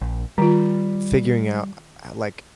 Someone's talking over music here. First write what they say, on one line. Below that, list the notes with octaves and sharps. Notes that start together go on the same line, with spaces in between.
figuring out I I like
A#1
D#3 G3 F4